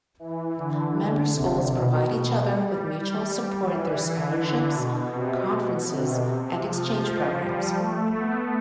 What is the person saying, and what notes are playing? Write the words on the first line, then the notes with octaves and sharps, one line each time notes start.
Member schools provide each other with mutual support through scholarships, conferences, and exchange programs.
E3
D3
C3
B2
B2
G3
G3
E3
D3
B2
C3
B2
C3
F3
F3
G3
A3
B3